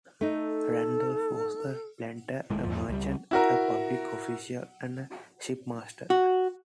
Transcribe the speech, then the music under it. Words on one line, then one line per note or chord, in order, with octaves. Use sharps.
Randolph was a planter, a merchant, a public official, and a shipmaster.
A3 D#4 A4
D#1 D#2 A2 G#3
E2 G#2 F3
C#2 G3
E4 F#4 A#4
F#4